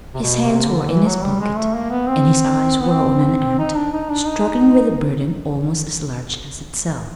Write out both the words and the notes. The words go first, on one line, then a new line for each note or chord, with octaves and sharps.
His hands were in his pocket, and his eyes were on an ant struggling with a burden almost as large as itself.
C3
B2
C3
D3
E3
F#3
G3
G#3
A3
A#3
B3
C4
B3
C4
D#4
D4
D#4
D4
D#4